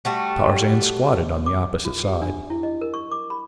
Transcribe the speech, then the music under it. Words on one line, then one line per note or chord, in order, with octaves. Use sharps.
Tarzan squatted on the opposite side.
G3 A3 F#4
D6
F4
G4
D4
E4
D#5
A#4
C#6
D6
B5